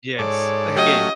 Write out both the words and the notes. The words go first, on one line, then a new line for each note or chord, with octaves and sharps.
Yes, like a game.
G#2 A4 C#5 D5
F#3 A3 C#4 F4 G4 D#5